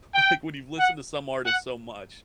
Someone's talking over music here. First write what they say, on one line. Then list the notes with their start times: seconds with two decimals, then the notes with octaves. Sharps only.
L like when you've listened to some artist so much,
0.14 G5
0.79 F#5
1.45 F#5